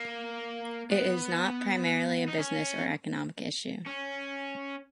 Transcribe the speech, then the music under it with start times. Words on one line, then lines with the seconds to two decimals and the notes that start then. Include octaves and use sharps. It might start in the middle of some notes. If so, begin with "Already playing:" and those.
It is not primarily a business or economic issue.
Already playing: A#3
0.92 B3
2.28 D#4
2.39 C#4
3.86 C#4